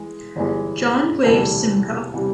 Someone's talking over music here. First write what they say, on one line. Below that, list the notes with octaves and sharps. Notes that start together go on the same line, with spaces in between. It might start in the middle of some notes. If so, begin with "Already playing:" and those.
John Graves Simcoe.
Already playing: E3 G#3
G1 G2 E3 G#3
E1 D2 C3 E3 G3 A4
C3 E3 G3